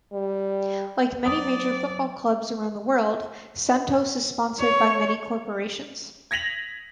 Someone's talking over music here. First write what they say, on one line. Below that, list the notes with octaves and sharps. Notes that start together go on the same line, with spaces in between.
Like many major football clubs around the world, Santos is sponsored by many corporations.
G3
F#3 C4 D5 D#6
C#5
G#6 A#6 B6 F7 F#7